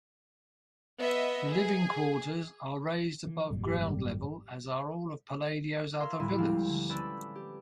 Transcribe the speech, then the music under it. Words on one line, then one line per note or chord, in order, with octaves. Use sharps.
The living quarters are raised above ground-level, as are all of Palladio's other villas.
B3 D#5 E5
G#4
E3
G#1 F#2 A#2 G3
G4
G3
A#4 C#5 E5 F5 C6
E1 D2 A2 G3 E4 D#7
F3 G#3 C4 G4 F5
D3
C4 C#4 A4 B4 D5 E6
G4